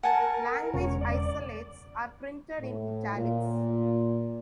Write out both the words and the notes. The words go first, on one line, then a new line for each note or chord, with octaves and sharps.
Language isolates are printed in "italics".
A#4 F#5 G#5 A5
E1 C#3 C#5
D5
A2
A#2